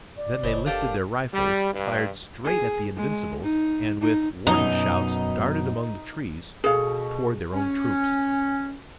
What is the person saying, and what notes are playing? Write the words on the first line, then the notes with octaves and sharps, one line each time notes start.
Then they lifted their rifles, fired straight at the Invincibles, and with warning shouts darted among the trees toward their own troops.
D5
F#1 C#3 C5 C#5 D#5
D4 G4 A4 A#4 F5
G3
G2
G#4
G#3
D#4
D#4
F#2 B2 D#4
B2 G#4 A4 F5
C#4